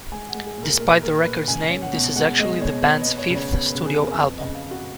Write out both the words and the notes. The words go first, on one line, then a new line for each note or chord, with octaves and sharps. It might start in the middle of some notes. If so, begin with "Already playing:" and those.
Despite the record's name, this is actually the band's fifth studio album.
G#3 G#5
F#5
G#3
G#4
A#2
A#4
A#2 A#4
A#2 A#4
A#2 B4
C#2 G#5
C#4
F#5
B2
G#3 F#5
G#3 D#5
B2 C#5
B3 C#5
D#5
B3
C#5
C#3
C#5
B3 C#5
B4
C#3
G#4
F2
A#4
F2 B4
C#3 D#5
F5
F2
F#4